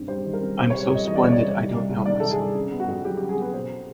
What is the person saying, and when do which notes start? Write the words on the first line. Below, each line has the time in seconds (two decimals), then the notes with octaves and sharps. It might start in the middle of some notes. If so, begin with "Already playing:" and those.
I'm so splendid I don't know myself.
Already playing: G2 D#3 C4
0.08 G3 C5
0.25 D#3
0.33 A#4
0.41 C4
0.58 C3 C5
0.70 G3 C#5
0.90 F2 D#5
1.07 E3 D#5
1.15 D5
1.24 C3 C#5
1.32 D5
1.41 G3
1.57 C3
1.74 C2
1.89 C2
2.05 D#3 D5
2.20 C3 A4
2.31 G#4
2.39 C2
2.55 C#3
2.72 B3
2.80 F#4
2.88 F2
3.05 F#3 G4
3.17 C#3 G4
3.29 G#4
3.37 B3 B4
3.54 B2 C5